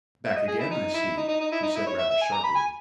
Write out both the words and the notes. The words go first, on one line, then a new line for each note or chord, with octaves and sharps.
"Back again, I see," she said rather sharply.
E5
D#5
G#4
E4
D#4
E4
D#4
D#4
D#4
E4
D#4
E4
C#5
E5
E5
G#5
A#5
B5
G#5